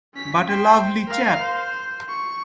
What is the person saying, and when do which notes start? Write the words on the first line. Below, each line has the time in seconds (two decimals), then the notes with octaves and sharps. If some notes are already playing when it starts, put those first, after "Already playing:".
But a lovely chap!
0.14 C#4 B6
0.48 C5 G5
1.07 A#4 F5
1.40 C5
2.08 C#6